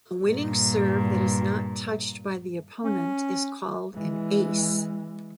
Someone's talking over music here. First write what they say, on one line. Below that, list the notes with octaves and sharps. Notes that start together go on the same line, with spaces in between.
A winning serve that is not touched by the opponent is called an "ace".
G2 A#2
C#4
E3 G#3